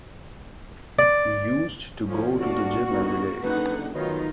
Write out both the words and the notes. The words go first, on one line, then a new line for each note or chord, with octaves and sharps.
He used to go to the gym every day.
D5
D3 F3 C#4
D#1 D4 F#4 D5 F5
G1 A#3 D#4
F#1 D3 D#4 B4 F#5
B2 D#3 F#3 A3 D#4 F4 C#5